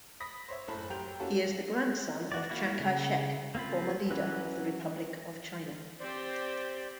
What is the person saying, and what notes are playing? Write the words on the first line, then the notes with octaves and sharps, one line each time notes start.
He is the grandson of Chiang Kai-shek, former leader of the Republic of China.
B5 D#6 A#6 B6
C5 C#5 E5
F#1 A2 A4 C5 B5 F#7
F#2 G4 G5 G6 F7
A#3 C#4 E4 F#4 G4 A4
F#4 D5
A#3 E4 F#4
C#3
A#3 C4 F4 B5
E3 F#3 C#4 B4
C4 G4 C5 D5